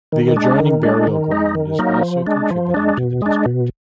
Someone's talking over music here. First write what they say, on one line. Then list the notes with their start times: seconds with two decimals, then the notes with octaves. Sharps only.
The adjoining burial ground is also contributing to the district.
0.12 D#3
0.36 G#3 D4
0.60 D#3
0.83 G#3 D4
1.07 D#3
1.31 G#3 D#4
1.55 D#3
1.79 F#3 A#3 D#4
2.02 F3
2.27 G#3 D4
2.50 F3
2.74 G#3 D4
2.97 B2
3.22 G#3 D4
3.46 B2